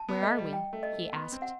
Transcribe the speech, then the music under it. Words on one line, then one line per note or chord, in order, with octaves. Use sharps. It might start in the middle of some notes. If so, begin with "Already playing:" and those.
'Where are we?' he asked.
Already playing: A5
B3
A3 D#5
G3
G5
A3
D#5
A3
B3 C6
C4
F#5